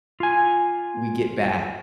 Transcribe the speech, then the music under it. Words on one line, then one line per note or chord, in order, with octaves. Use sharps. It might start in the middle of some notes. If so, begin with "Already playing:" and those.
we get back
F4 G#5